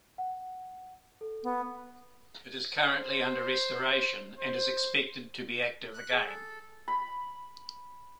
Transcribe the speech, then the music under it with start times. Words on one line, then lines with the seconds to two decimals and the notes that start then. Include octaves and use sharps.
It is currently under restoration and is expected to be active again.
0.18 F#5
1.21 A4
1.43 B3
2.96 C5
4.38 C5
5.93 F#6
6.11 G#4
6.26 A4
6.88 B5